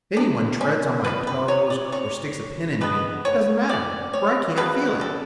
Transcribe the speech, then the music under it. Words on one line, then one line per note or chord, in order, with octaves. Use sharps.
If anyone treads on my toes or sticks a pin into me, it doesn't matter, for I can't feel it.
D4
C#4
F3 B3 B4
B4
C#5
D5
C#5
D3 G#3 B3 B4
C#5
D5
C#5
C#3 F#3 B3 B4
A4